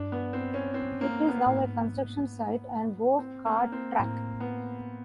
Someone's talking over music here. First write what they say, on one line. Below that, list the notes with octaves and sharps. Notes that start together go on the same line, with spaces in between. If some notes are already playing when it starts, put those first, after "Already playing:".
It is now a construction site and go-kart track.
Already playing: G2 D4
B3
C4
C#4
C4
A#3
B3
A2
G#2
C4
A#3
C4
A2 A#3
B3